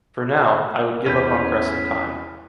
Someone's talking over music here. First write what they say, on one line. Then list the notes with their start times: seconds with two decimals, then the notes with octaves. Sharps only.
For now, I would give up on cress and thyme.
1.06 E2 C#4 B4 G6